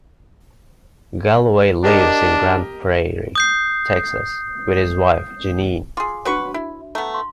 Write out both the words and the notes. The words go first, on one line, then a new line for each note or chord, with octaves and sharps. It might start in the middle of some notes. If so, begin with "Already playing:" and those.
Galloway lives in Grand Prairie, Texas, with his wife Janeen.
D4 G4 A#4 D#5
D#6 G6 C7
F4 G#4 C6 D6
F#3 D4 F#4 B4 C#5 C#6
E4
A3 B3 A#5
F5 C6 C#6